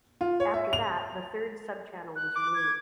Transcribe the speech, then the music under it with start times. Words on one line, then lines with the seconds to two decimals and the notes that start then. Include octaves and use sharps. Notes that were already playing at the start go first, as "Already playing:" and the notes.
After that, the third subchannel was removed.
0.21 F4
0.40 C#5
0.54 E5
0.73 F7
2.16 F#6
2.36 D6
2.54 G#6